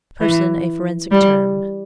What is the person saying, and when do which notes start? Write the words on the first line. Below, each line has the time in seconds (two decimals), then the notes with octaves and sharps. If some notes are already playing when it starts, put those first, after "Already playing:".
Person a forensic Term.
0.20 E3
1.11 G3